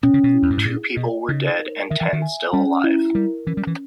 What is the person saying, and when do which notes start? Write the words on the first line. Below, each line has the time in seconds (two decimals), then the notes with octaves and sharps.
Two people were dead and ten still alive.
0.03 B2 C#4
0.14 C#3
0.24 B2
0.34 E4
0.43 E2
0.50 G2
0.57 G#2
0.65 A#2 G#4
0.97 B2 D#5
1.28 C#3 D#4
1.59 A#4
1.90 D#3 E5
2.01 E3
2.13 D#3
2.22 G#5
2.53 G3 C#4
2.84 E4
3.15 G3 A#4
3.47 E3 C#4
3.57 G3
3.67 E3